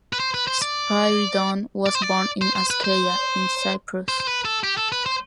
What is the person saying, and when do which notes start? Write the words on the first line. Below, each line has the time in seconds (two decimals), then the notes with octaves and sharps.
Spyridon was born in Askeia, in Cyprus.
0.13 B4
0.20 C5
0.34 B4
0.48 C5
0.62 D5
1.86 D5
1.95 C5
2.02 D5
2.42 C5
2.55 C5
2.71 B4
2.84 C5
4.08 C5
4.20 C5
4.27 B4
4.45 A4
4.64 G4
4.78 A4
4.92 B4
5.06 C5